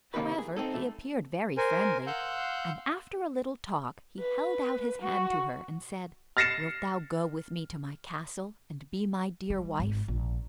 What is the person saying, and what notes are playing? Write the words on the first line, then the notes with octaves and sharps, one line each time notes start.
However, he appeared very friendly, and after a little talk he held out his hand to her, and said, "Wilt thou go with me to my castle and be my dear wife?"
C3 D#3 A#3 D#4 B4
G#4
C4 D#4 A4
E2 A3
A#4 C5 G#5
F5 F#5 C6 E6 F#6 G6
B4
F#4
F6 A6 A#6 C7 C#7 E7
G3
G#1
A#1